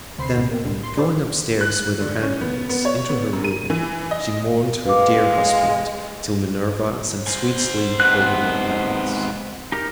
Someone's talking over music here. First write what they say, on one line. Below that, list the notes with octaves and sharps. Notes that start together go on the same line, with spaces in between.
Then going upstairs with her handmaids into her room, she mourned her dear husband till Minerva sent sweet sleep over her eyelids.
D2 C3 C5 B5 C7
C#2 A2 B3
A#3 C4
B1 A2 D3 G3
C6
G3 D4 E4 A4 C5 D5
F#6
D3
C#4
B3
B3
C#5
B3
F#2
D#7
E3
D#5
G#3 B4 F5 D6
C5 G#5
G#2 C3 B3 B4 F#6
D#4 G4 A#4